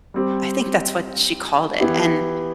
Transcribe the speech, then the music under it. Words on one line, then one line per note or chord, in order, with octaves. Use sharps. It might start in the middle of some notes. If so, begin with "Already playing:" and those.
I think that's what she called it, and
G3 C4 G4
E3 B3 E4 G4